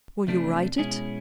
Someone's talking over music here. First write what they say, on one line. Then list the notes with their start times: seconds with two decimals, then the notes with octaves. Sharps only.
"Will you write it?"
0.27 E2 C3 F3 A3 D4
0.78 B2 G#3 C#4 E4 G#4